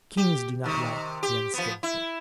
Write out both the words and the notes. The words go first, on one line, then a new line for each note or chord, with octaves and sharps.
Kings do not like the unskilful.
G4
C3 D#3
G4
F3 B3
E4